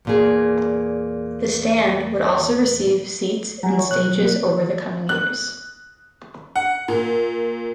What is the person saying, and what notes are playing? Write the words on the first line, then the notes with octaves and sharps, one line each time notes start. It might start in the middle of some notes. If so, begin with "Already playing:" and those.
The stand would also receive seats in stages over the coming years.
E2 A#2 G#4
F#3 G3 F#5 G#5 A#5
C#5
B2 F#3 F#6
F#3
A#3
F#6
F#5
A#2